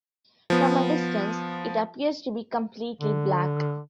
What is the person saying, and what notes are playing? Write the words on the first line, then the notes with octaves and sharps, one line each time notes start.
From a distance, it appears to be completely black.
F3 B3
D3